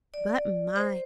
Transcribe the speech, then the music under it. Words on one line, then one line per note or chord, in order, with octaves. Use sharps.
But, my!
D5
C5